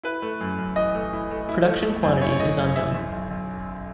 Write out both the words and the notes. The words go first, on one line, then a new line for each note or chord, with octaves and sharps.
Production quantity is unknown.
E4 B4
A3
F#2
F#2
E3 D#5
A3
E4
A3
E4
A3
A3
F#2
E4 C#5
C#5
A3 D#5
F#2
E4 E5
B1
B1
B1